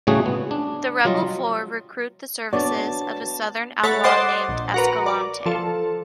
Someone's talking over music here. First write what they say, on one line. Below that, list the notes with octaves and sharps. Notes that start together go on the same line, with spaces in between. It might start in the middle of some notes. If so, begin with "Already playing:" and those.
The Rebel Four recruit the services of a southern outlaw named Ascalante.
A2 C#3 G3 A3 F#4 G#4
B3
D4
F#3 G3 F4 D#5
B3 D4 F#4 B4 C#5 D5 A5
A3 C#5 F#5 B5 A6
C5 D#5 F#5 C6 D6 A6
A#1
F#4 A#4 B4
D5
F3 A4